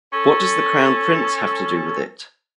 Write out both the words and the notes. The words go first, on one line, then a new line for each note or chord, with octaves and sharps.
What does the Crown Prince have to do with it?
C#4 A4